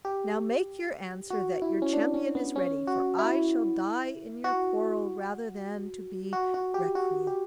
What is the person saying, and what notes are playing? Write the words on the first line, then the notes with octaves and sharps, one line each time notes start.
NOW make your answer that your champion is ready, for I shall die in your quarrel rather than to be recreant.
G4
F#4
E4
C#4
D4
C#4
B3
C#4
F#4
E4
F#4
F#4
F#4
G4
F#4
G4